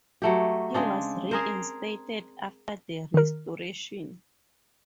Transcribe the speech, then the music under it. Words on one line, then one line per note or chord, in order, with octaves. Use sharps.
He was reinstated after the restoration.
F#3 A3 G4
C#3 G#3 C4 D4
G#4 A#4 C5
D#3 A#4